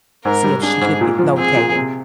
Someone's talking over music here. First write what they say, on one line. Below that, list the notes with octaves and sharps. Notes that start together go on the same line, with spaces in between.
see if she could g locate him.
G#2 A#4
G3
D4 G#4
G#2
A#2
F3
C4 G#4
A#2
C3